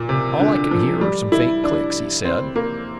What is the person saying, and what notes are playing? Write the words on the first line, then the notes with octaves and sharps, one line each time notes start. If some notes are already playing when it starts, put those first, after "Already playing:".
"All I can hear are some faint clicks," he said.
Already playing: A#2
C3
D3
F3
G3
E4
D4
C4
A#3